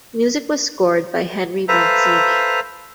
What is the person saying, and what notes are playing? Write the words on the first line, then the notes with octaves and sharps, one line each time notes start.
Music was scored by Henry Mancini.
A4 B4 C5 E5 F5 A#5